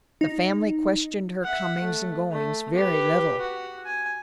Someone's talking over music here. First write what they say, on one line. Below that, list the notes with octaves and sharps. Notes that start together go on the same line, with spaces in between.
The family questioned her comings and goings very little.
D#4
E5 F#5
A3
A3
G4 B4
F#4
G#5